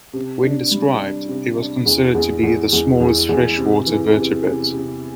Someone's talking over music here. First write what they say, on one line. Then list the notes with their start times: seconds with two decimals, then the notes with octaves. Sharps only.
When described, it was considered to be the smallest freshwater vertebrate.
0.13 C3
0.43 D4
0.71 G3
1.00 D4
1.29 C3
1.57 D4
1.86 E2
2.15 E2
2.43 E2
2.73 E2
3.00 E2
3.29 E2
3.58 C3
3.87 E3
4.16 C3
4.45 C3
4.73 C3